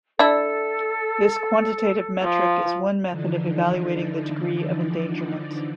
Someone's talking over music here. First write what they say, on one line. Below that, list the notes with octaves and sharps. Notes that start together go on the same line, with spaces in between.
This quantitative metric is one method of evaluating the degree of endangerment.
D4 E4 A4 D5 E6
F3
D3 E3 F3 D4 D#4